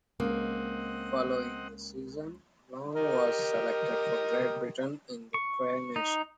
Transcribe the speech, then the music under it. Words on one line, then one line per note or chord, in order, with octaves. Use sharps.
Following the season, Long was selected for Great Britain in the Tri nations.
C#2 A#3 C4 D#5 F#5
G4 A#4 D#5
C#6
D#4